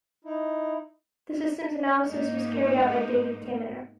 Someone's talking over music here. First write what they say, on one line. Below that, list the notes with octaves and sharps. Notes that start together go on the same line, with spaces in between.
The systems analysis was carried out by David Caminer.
D#4 E4
G#2 G#3 A#3 D#4